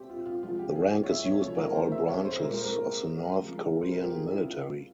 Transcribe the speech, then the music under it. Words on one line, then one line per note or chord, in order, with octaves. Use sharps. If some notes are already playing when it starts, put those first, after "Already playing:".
The rank is used by all branches of the North Korean military.
Already playing: A#2 G4 C5 E5
F4
F4
C3 F3 G#3 F4
G4
G#4
C#5
E5
C#5
C#3 F3 G#3 C#5
A#4
C5
E5
C#5
C5
A#2 G#3 A#4
C5
A#4
C#3 F3 G#3
C5
A#4
F4
G4
G#4
E4
C3 G3 F4